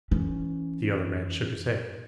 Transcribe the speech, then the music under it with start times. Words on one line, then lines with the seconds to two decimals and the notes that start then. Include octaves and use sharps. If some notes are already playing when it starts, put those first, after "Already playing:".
The other man shook his head.
0.11 E3 C#4